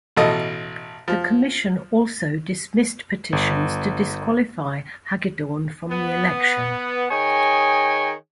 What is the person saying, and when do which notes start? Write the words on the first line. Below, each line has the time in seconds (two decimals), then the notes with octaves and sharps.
The commission also dismissed petitions to disqualify Hagedorn from the election.
0.17 A1 B2 A4 D#5
1.08 F3
3.33 G1
5.90 B3
7.10 D#3 G#4 C#5 D#5 G5 G#5